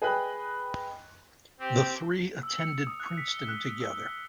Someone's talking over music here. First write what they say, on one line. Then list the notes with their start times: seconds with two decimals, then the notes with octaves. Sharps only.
The three attended Princeton together.
0.02 G#4 B4 D#5 G5 B5 F#6
1.60 C4 G4
2.43 E6
2.59 C#7
2.87 D#6
3.00 F#6
3.17 B6
3.34 G7
3.49 F#6
3.80 E6